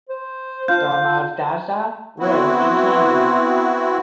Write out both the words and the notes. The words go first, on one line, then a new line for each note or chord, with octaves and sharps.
Dharmadasa lives in Kandy.
C5
F4 G6
B3 C4 E4 F#4